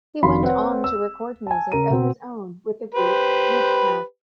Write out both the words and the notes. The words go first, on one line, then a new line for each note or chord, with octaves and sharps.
He went on to record music of his own with the group Lootpack.
F1 D#3 F#4 F5 B5 C6
C4 B4 C#5 F#5
E6
G#5 A5
C#3 A#4 A#5 D#7
B2 C4
G4 B4 C5